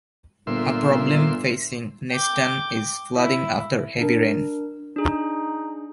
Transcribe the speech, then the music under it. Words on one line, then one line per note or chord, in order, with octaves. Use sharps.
A problem facing Nesttun is flooding after heavy rain.
G1 A#2 E5 C6
G5 D6
E4
D4 A#4
D4 D#4 G#4